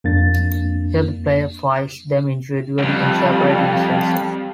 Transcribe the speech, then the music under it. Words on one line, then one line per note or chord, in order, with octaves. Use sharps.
Here the player fights them individually in separate instances.
F2 A#3 D4 A6
F2 G#2 G3